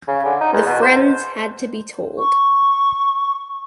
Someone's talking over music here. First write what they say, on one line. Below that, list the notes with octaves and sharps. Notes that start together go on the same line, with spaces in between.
The friends had to be told.
C#3
D3
D#4
E2
B2
C5
C#6